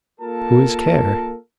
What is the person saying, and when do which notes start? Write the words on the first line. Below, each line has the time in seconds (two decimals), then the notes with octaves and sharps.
"Whose care?"
0.21 A#3 F4 A4 A#4 A5